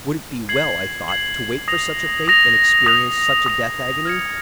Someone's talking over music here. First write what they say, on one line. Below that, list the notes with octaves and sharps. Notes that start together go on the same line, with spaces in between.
Would it be well, I thought, to wait for such a fate, and experience such a death-agony?
G#6 C7 F#7
G#6 C7 F#7
D#6 A#6 F7
D#6 A#6 F7
D#6 A#6 F7
D#6 A#6 F7
F6 G#6 C#7